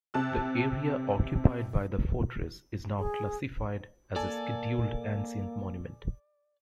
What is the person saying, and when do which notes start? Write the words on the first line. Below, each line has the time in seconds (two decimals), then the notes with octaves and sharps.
The area occupied by the fortress is now classified as a Scheduled Ancient Monument.
0.14 C3 A5 F#6
2.99 G#4
4.16 A#3 A4 D5 G#5 A5